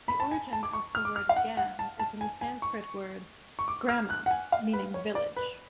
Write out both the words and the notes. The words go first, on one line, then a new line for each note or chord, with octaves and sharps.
The origin of the word "Gan" is in the Sanskrit word "Grama", meaning "village".
B5
A5
G#5
A5
D6
C#6
F6
D6
F6
F5
F#5
F#5
A5
A5
G#5
G#5
C#6
C#6
D6
F6
F#6
F#5
G#5
F5
B4
C#5
D5
B4